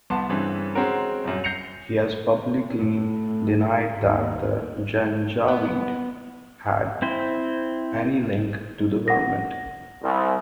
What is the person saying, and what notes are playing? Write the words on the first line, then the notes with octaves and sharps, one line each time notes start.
He has publicly denied that the Janjaweed had any link to the government.
C2 B3 A5 C6
G2 C#3 E3 C4
G#3 C4 C#4 F#4 A#4
D#1 F#2
G6 A#6 C7 C#7 F7
A2
D#2
B3
C4 E4 C5
F#5 A#6
C2